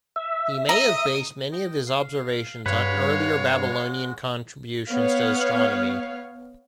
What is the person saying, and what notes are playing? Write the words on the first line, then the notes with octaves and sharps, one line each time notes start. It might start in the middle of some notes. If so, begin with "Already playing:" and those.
He may have based many of his observations on earlier Babylonian contributions to astronomy.
E5
D#5 A#5 D#6
D#5 G5
F5
G2 G#3 F#4 B4 C#5 F5
B3 C#5 F5